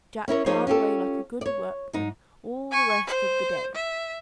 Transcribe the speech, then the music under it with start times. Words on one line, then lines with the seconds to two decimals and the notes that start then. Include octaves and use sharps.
Jack, ploughed away like a good workman all the rest of the day.
0.28 C#4 E4 A#4 C#5
0.46 F3 A#3 D#4 G#4 C5 C#5
0.67 C#4 F4 G4 A4
1.41 C#5 D5
1.93 G#2 D#4
2.71 G#5 C#6
3.07 C5
3.75 E5